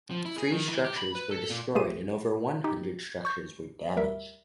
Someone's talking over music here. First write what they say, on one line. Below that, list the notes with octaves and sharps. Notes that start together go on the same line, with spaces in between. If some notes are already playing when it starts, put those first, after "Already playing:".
Three structures were destroyed and over one hundred structures were damaged.
F3
E4
G#4
D#3
E3
G4
B5
B4
A4
A#2
C2 A3 F4 G4 G#4 D#7
D#4 G4
C#6 G6
D2 G3 A#4 E5